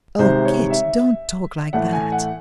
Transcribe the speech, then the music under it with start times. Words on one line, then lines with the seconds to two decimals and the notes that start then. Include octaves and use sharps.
'Oh, Kit, don't talk like that.'
0.19 C2 C3 D#3 G#3 C5
0.45 C#5
0.70 E5
1.73 A2 E3 A3 F#5
1.93 G#5
2.12 F#5